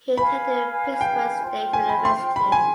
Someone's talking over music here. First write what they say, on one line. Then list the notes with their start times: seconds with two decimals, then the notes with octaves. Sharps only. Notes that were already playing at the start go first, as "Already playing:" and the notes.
He attended Pittsburg State University.
0.17 B4 F5 G#5 B5
1.01 G5
1.43 F4 C5 G5
1.73 G#5
1.89 B5
2.05 C6
2.36 B5
2.52 G#5